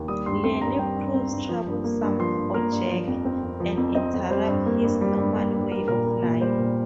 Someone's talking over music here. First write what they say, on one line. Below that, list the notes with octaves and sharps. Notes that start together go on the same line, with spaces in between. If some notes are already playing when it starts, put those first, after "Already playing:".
Lenny proves troublesome for Jake, and interrupts his normal way of life.
Already playing: D#2
G3 D#6
G2 C6
C4 C6
G2 A#5
G3 G5
G2
C4
G2
F3
G2
A#3
G2
F3 C6
G2
A#3 A#4
G2
F3
F2
C4
F2
F3
F2
C4 D#5
F2
G3 C5
G2
A#3
G2
G3
G2
A#3
G2
G3 A#4
A#2 A#4
A#3
A#2
G3 C5
A#2